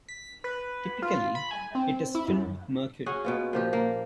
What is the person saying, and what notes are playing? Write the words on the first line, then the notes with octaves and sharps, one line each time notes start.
Typically it is filled with mercury.
B6
B4
F4
B5
G#5
C4
E4
F#2
C#4 F#4 G#4
B2 B3 F4
A#2 F3 G4
A#3